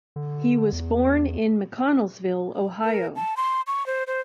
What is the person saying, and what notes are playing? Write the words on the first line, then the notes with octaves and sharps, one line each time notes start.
He was born in McConnelsville, Ohio.
D3
E2
A#4
A5
C6
C#6
C5
C5